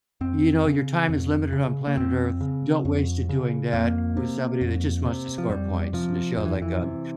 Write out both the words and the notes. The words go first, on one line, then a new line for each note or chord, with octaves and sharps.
you know, your time is limited on planet Earth, don't waste it doing that with somebody that just wants to score points, and to show, like, um,
F2 C4
C#3
F2
C#3
A#3
F2 C4
C#3
F2
C#3
F2 A#3
C3
F2
C3
F3
F2 G3
C3 F3
F2 F3
E3
E3
C3